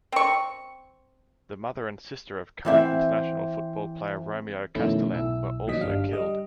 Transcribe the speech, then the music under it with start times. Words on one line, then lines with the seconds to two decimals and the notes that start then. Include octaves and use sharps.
The mother and sister of current international football player Romeo Castelen were also killed.
0.12 C4 C#6
2.65 E3 C4 E5 F#5
4.75 F2 B2 D#3 A3 C#4 E4
5.14 B1 E4 E6
5.67 A#1 A#2 D#3 F#3 D#5 B6
5.81 G1 G3 D4 F5
6.09 G3 D#5